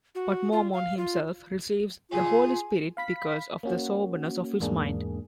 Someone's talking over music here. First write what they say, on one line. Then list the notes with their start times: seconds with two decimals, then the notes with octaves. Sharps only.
But Mormon himself receives the Holy Spirit because of the soberness of his mind.
0.15 F#4
0.52 F4
0.73 F5
0.97 F4
2.10 F4 G#4
2.97 F5 B5 B6
3.63 A#3 C#4 F#4
4.60 E2 G#2 A#3 D4 G#4